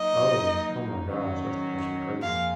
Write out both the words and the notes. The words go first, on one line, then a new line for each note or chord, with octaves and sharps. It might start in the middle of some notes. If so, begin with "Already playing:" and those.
Oh, oh my gosh, that's actually crazy.
Already playing: F#3 A#3 D#4 D#5
D#3 F#3 C#4 F#4
F2 F3 A#3 F4 G#4 F5